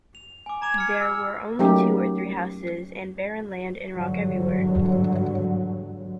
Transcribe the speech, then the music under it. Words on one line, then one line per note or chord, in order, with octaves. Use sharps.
There were only two or three houses and barren land and rock everywhere.
F7
G#5 D6
A#5 D6 G#6 F7
F6 C#7
E6
F#3 A3 A#3 C#4 D#4 G4
G#1 E2 G2 D3 F#3